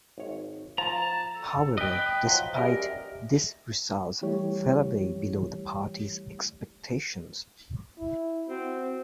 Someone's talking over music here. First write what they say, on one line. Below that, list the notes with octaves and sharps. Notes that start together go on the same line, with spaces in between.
However, despite this results fell way below the party's expectations.
G#1 C#5
F3 A5 A#5
A4
B4 D#5 G5
F3 F#3
F#2 G#3 B3 G4 A#4 D5 E5
E3 G3 A3 E4 G4 C#5
E4
C4 F#4